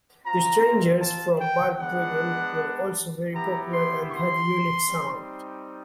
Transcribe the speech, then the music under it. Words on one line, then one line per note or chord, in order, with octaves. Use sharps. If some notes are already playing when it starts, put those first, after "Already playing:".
The Strangers from Balbriggan were also very popular and had a unique sound.
C4 F4 A#5
A5
G5
G#3 B3 D4 F#5
B3 E4 G4 A#5
C6
C6
G3 C4 D#4